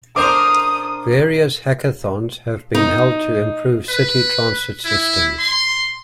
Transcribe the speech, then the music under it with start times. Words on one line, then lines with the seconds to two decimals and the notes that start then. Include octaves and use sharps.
Various hackathons have been held to improve city transit systems.
0.16 D4 A#4 C5 D6 D#6
2.75 D#4
3.89 B4
4.85 E4
5.39 C6